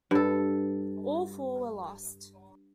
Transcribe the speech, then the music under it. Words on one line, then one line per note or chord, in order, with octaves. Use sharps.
All four were lost.
G2 A4